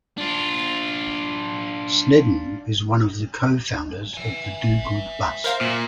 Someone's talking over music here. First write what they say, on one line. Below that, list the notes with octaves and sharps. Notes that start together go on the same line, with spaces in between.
Snedden is one of the co-founders of the Do Good Bus.
D4 F4
E5 G#5
A#4 C5 F5
A#2